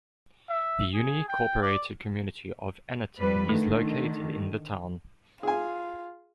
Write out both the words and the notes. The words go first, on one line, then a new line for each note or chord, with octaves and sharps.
The unincorporated community of Annaton is located in the town.
E5
G#4
G5
D5
F2 G3 B4
D3 D#3 A3
F4 G#4 G#5